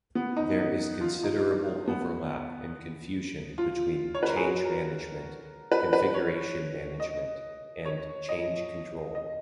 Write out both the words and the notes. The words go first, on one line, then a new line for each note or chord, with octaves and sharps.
There is considerable overlap and confusion between change management, configuration management and change control.
B3
D#4
D#4
F4
D#4
B3
F4
C#5
B4
A#4
G#4
F#4
A#4
B4
B4
C#5
D#5
C#5
D#5
D#5